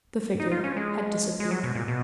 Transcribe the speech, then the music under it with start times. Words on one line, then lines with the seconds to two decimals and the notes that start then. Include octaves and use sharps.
The figure had disappeared.
0.40 D#4
0.51 F4
0.64 C#4
0.76 G#3
1.40 G#3
1.51 F#3
1.63 B2
1.75 A#2
1.88 B2